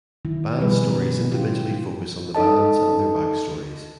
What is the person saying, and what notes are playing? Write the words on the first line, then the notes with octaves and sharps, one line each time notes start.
Band stories individually focus on the bands and their backstories.
D#3 F#3 E4
B2 F3 G3 G#4 B4
F#3 C#4 E4 F4 G4
D#4 A4 D#5 A5